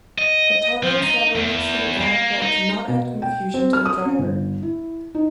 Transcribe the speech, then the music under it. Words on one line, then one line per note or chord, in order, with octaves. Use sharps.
The tolerance level needs to be adequate to not add confusion to the driver.
D#5
F3
D#4
E2
A#3
D#4
B2
G5
C4
F6
D#6
C#4
G1
E4
D#4